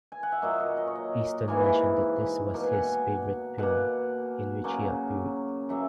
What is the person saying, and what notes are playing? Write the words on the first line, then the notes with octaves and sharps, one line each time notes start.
Heston mentioned that this was his favorite film in which he appeared.
G#5
F#5
E5
A#2 F#3 A#3 D#5
C#5
D#5
C#5
D#5
A#4
G#2 E3 A#3 G#5
B2 A#3
G#5
F#5
G#5
B2 A#3 F#5
C#3 F#3 A#3
C#3 F#3 A#3 E5